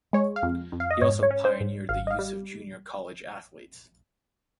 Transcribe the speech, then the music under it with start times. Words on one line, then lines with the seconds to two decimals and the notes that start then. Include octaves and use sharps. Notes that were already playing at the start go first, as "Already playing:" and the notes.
He also pioneered the use of junior college athletes.
0.13 G#3 C#5
0.36 F5
0.43 F2
0.72 F2
0.80 F5
0.91 D#5
1.02 G#2 C#5
1.23 C#5
1.31 C#4
1.45 C5
1.60 G#2
1.89 G#1 F5
2.07 D#5
2.11 F5
2.19 G3